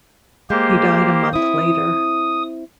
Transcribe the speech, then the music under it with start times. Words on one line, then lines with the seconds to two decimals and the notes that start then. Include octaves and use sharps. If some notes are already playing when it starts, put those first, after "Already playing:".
He died a month later.
0.50 G#3 A#3 G4 C5
1.33 C4 E4 D#6